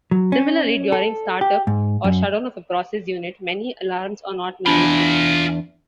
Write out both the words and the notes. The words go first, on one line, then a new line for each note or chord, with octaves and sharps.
Similarly, during start-up or shutdown of a process unit, many alarms are not meaningful.
F#3
C#4
A4
G4
G#2
F#2
E2 D4 F4 G#5 B5